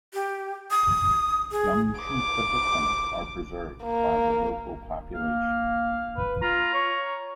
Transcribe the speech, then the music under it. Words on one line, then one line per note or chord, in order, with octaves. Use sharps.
Young shoots of the plants are preserved by the local population.
G4
D#6
G#4
D6
A#3
A#3 F5
B4
F4 A#5
C#5